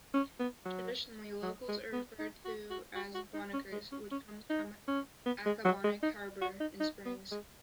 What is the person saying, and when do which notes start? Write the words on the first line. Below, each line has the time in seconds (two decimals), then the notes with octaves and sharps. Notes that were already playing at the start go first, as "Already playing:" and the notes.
Traditionally, locals are referred to as "Bonackers" which comes from Accabonac Harbor in Springs.
0.14 C#4
0.40 B3
0.65 F#3
1.43 F#3
1.68 G#3
1.93 B3
2.19 D#4
2.45 F#4
2.70 F#4
2.95 F#4
3.14 F#4
3.34 D#4
3.53 C#4
3.72 G#3
3.92 C#4
4.11 C#4
4.50 D#4
4.88 C#4
5.26 B3
5.46 G#3
5.65 F#3
5.84 G#3
6.03 D#4
6.41 F#4
6.60 D#4
6.80 D#4
7.05 B3
7.31 G#3